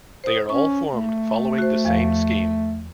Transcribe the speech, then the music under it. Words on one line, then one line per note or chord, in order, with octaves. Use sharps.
They are all formed following the same scheme.
C5 D#6
C#4 C#6
A3
F#4 C5
E2 F3 F5